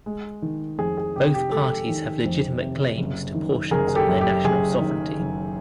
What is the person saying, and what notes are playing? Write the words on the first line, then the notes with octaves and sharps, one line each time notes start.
Both parties have legitimate claims to portions of their national sovereignty.
G#3
D#3
F2 G#4
G#4
C3 G4
G4
G#3 G4 A4
D#3
F2
C3
F#1
D#3
F#1 G#4 A#4
G#4
G4 A4
F#2
G4
F#1 G#4
D#3
F#1